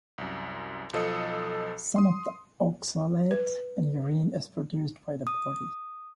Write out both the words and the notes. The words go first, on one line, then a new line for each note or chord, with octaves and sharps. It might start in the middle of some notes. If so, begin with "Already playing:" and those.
Some of the oxalate in urine is produced by the body.
C2 F#2
B1 F3 A4 D#5 D#6 C#7
C6 D#6
B4
D#6